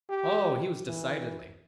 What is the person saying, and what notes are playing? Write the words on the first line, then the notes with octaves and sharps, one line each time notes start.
"Oh, he was, decidedly."
G4
E3